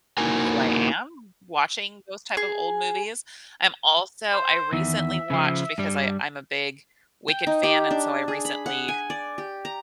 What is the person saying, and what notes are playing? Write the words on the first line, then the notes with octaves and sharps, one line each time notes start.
who I am watching those type of old movies. I'm also I recently watched because I I'm a big Wicked fan and so I recently
A#3 D#4 E4 F#4 A#4 G#5
G#4
C5
E2 D#3 E5
C#3 F3
G2 G3
G5
D#4
G4
D4
G#4
B5
F#5
G#5
D5
G4
A#5